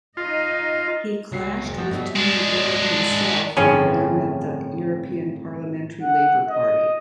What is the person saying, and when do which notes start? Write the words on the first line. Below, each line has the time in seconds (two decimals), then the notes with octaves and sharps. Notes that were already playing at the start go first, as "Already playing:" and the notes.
He clashed with Tony Blair himself when Blair met the European Parliamentary Labour Party.
0.17 D#4 F4 D#5
1.32 C#2 F#3 F#4 C7
1.63 F#1
1.78 F3 A3 F#4
1.91 G2 B2 F#3 G3 E5
2.16 G#3 D4
3.56 G1 A2 F3 C4 C#4 G#4
6.02 F#5
6.49 D#5